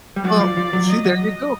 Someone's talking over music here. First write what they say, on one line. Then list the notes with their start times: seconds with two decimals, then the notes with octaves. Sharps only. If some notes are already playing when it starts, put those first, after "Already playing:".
Well, uh, see, there you go.
0.16 G3
0.24 F#3 D5
0.40 F3
0.57 F3
0.73 F#3
0.89 D#5
1.05 F#3